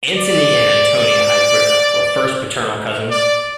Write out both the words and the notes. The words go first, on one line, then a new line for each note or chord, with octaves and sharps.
Antony and Antonia Hybrida were first paternal cousins.
D5
D5